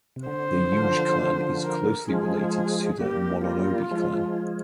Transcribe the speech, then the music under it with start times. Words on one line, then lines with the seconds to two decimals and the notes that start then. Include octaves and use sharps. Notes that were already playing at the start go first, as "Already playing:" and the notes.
The Yuge clan is closely related to the Mononobe clan.
0.16 C3
0.27 D3 C5
0.72 D3 F3
1.64 A#4
2.09 F3 G#3 G#4
3.00 G3 A#3 G4
3.46 F4
3.91 F3 G#3